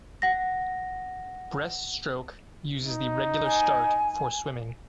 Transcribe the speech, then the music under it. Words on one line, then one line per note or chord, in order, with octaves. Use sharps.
Breaststroke uses the regular start for swimming.
F#5 A#6
D#4
G#5